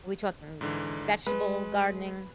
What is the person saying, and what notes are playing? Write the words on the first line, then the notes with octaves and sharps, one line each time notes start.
are we talking vegetable gardening?
G#2 D3 E3
G#3 B4